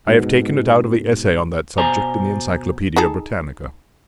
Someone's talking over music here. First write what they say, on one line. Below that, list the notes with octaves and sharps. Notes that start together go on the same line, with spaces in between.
I have taken it out of the essay on that subject in the "Encyclopaedia Britannica."
G#2 B2
B2 C5 D5 G#5 A#5
D#4 G#4 A4